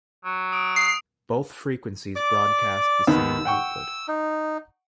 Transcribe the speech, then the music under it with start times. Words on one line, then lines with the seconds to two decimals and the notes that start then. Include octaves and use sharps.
Both frequencies broadcast the same output.
0.25 F#3
0.52 D#6 D7
0.76 D#6 C7
2.16 D5 D6
3.07 D#2 D#3 B3 E6
3.45 F#5 G5 C#6
4.08 D#4